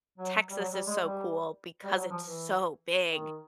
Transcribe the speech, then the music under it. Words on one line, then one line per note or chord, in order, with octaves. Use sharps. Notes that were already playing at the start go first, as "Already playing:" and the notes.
Texas is so cool, because it's so big
F#3
G3
F#3
G3
G#3
G3
G3
F#3
F3
E3
D#3